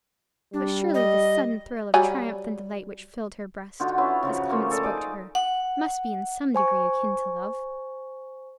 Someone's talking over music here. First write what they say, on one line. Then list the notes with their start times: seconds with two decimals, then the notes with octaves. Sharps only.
But surely this sudden thrill of triumph and delight which filled her breast, as Clement spoke to her, must be in some degree akin to love.
0.54 G3 D4
0.94 D#5
1.94 F#3 G3 G#5
3.80 D3 D#4 F4 F#4
3.98 C#4 E4 F4 B4
4.23 C#3 F3 F#3
4.49 A3 A#3 F4 C#5
4.70 G#4 A4 D5
4.83 D#4 G#4 D5
5.35 F#5
6.55 C5 G#5 C#6